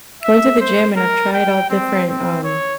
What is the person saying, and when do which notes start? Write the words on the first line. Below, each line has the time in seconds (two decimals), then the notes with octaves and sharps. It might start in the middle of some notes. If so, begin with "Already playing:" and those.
going to the gym, and I've tried all different, um,
0.23 E5
0.61 C5
0.97 A#4
1.34 G5
1.70 C4
2.09 C4
2.44 C#5